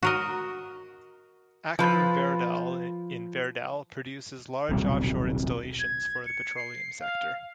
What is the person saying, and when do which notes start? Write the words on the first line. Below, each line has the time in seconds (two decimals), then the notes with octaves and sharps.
Aker Verdal in Verdal produces large offshore installations for the petroleum sector.
0.03 F#4 A#4 D#5
1.79 F3 B4
4.69 D#1 B1 C3 G3
5.79 G#6
6.26 C#7
6.56 C7
7.00 F5